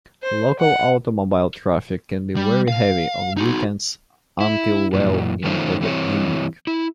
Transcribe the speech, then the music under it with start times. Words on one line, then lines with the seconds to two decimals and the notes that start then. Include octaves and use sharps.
Local automobile traffic can be very heavy on weekends until well into the evening.
0.23 C5
0.60 F#5
2.36 G3
2.68 F5
3.37 D#4 F#4
4.40 E4
4.93 F#2 A#2 E3
5.44 D#3 F3 A3 C#4 D#4 C5
5.81 E3 G3 C4 E4 C#5
6.67 E4